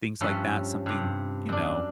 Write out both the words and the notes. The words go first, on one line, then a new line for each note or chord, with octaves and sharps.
things like that something, you know,
G2 F3 C#4 B4 E5 C6
G2 C3
F#2 D4